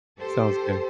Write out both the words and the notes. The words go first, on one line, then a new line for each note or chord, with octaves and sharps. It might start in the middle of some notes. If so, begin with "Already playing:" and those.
Sounds good.
G4 A4 C5